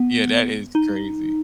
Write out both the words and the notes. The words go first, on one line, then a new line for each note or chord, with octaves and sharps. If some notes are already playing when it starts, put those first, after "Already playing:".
Yeah, that is crazy.
Already playing: B3
D#4